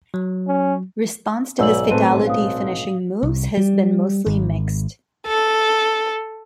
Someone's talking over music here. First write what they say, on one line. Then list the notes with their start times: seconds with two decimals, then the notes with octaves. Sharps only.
Response to his Fatality finishing moves has been mostly mixed.
0.14 F#3
0.48 C#4
1.59 B1 G#2 B3 D5 E6 F#7
1.90 A2 C4 C#4 G#4 A4 B4 A5 D#7
2.27 F5 D#6
3.23 C2
3.57 G3
4.26 G#1
5.26 A4